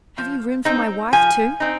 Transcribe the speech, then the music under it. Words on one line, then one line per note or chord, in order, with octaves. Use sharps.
Have you room for my wife, too?'
F3
C4 D#4
F3 G#5
C4 D#4